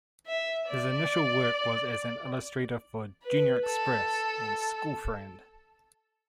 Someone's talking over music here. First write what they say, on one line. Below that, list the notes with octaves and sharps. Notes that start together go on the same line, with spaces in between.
His initial work was as an illustrator for "Junior Express" and "School Friend".
E5
D5
B4
A4